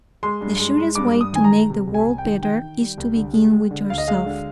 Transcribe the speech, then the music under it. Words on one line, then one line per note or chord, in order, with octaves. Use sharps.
The surest way to make the world better is to begin with yourself.
G#3 C6
G2
G#3
G#3
G2 D6
G2
D#6
D#3 G#5
A#5
G#3
C3
C2
G#5
C3
G5
D#3
D#3 G5
D#3
G3
C2
D3
G#3
G#3
D3
D2 F5
D#5
G#3 F5
D3